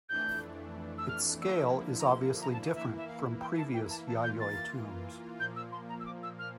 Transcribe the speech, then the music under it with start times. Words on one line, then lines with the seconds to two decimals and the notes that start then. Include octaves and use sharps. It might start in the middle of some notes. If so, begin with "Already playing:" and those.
Its scale is obviously different from previous Yayoi tombs.
0.08 F2 E3 A3 D4 G6
0.98 E6
1.08 F6
1.41 D3 F3 A#3 E4 E6
1.99 A#5
2.07 C6
2.41 A#5
2.52 A5
2.62 F5
2.73 E3 A#3 E4 E5
2.96 E5
3.07 F5
3.40 G5
3.57 A5
3.73 G5
3.90 A5
4.07 E3 A#3 F4 A5
4.23 G6
4.39 A6
5.38 A#2 F3 A#3 G6
5.56 E6
5.72 C6
5.88 A#5
5.99 E6
6.05 D6
6.22 E6
6.38 F6